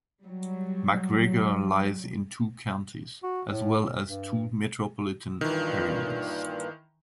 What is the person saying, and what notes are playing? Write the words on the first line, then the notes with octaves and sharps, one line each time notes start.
McGregor lies in two counties, as well as two metropolitan areas.
F#3 G3
F#4
A2
G2
G2 A#2 D#3 E3